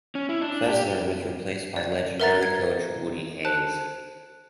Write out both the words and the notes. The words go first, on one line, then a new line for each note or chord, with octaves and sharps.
Fesler was replaced by legendary coach Woody Hayes.
C#4
E4
D4
G4
D5
A#4 B4 E5 F#5 A#5 A6
G#6
C5 A5 F#6